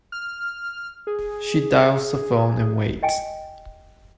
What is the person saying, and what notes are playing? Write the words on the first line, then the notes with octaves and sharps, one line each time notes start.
She dials the phone and waits.
F6
G#4
D#5 G5 G#5